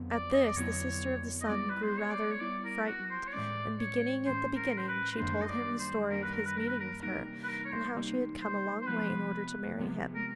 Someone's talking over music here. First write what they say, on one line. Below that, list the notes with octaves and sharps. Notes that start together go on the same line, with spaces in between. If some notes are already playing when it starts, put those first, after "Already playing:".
At this the Sister of the Sun grew rather frightened, and beginning at the beginning, she told him the story of his meeting with her, and how she had come a long way in order to marry him.
Already playing: F2 D3 F#3 B3
D5
D#5
D5
F2 D3 F#3 B3 E4 C#5
D#5
G3 B3 E4 D5
B4
C5
C#5
D5
C#5
G3 B3 E4 D5
A#4
F#4
C5
C#5
A2 E3 G#3 C#4 D5
C#5
A2 E3 G#3 C#4 C5
A#4
C5
B4
B4
F#2 D#3 G3 A#3 D4 C5
D#5
D5
C5
F#2 D#3 G3 A#3 D4 A#4
B4
A#4
B4
A#4
B4
A#4
C3 E3 G3 A#3 D#4 A#4
B4
A#4
C#5
C5
C3 E3 G3 A#3 D#4
C5
C5
C3 F3 G#3 B3 B4
C3 F3 G#3 B3
A#4